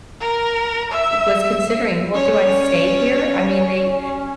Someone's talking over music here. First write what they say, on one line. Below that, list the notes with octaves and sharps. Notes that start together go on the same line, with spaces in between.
was considering, "Well, do I stay here?" I mean, they
A#4
E5
C#4 C#5 D5